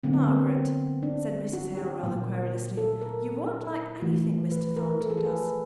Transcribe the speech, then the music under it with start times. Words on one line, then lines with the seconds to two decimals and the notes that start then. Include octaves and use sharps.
'Margaret!' said Mrs. Hale, rather querulously, 'you won't like anything Mr. Thornton does.
0.03 D3 F#3 A#3 C4
0.13 B3
0.23 C4
1.03 D4
1.53 F#4
1.77 G4
2.03 A#2 F#3 A#3
2.77 A4
3.02 A#4
4.02 E3 A3
4.52 B4
4.76 A#4
5.01 A4
5.10 G#4
5.18 A4
5.26 B4